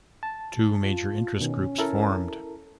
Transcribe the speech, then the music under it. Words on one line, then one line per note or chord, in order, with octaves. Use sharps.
Two major interest groups formed.
A5
F4
B2 D#3 C#4
E4 A4 A#4